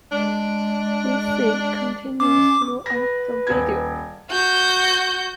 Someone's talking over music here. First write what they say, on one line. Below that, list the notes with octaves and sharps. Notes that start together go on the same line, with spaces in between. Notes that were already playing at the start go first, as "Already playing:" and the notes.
This theme continues throughout the video.
G#3 D4
C#4 D6
B4 A#6
D#1 G#6
F#4 G6